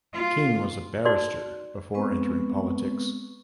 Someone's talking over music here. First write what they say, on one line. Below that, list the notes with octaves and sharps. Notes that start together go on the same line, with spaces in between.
King was a barrister before entering politics.
F4
D#4 F#4 D5 C6
G#3 B3 C4 B4 C#6